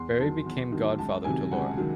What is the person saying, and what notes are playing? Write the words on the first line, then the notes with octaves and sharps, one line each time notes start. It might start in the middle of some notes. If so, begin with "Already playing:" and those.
Barrie became godfather to Laura.
Already playing: E2 C6
D#3 F#3 A5
E2
D#3 F#3
C#2 A5
C3 D#3 F#3 G#5
C#2 F#5
D#3 F#3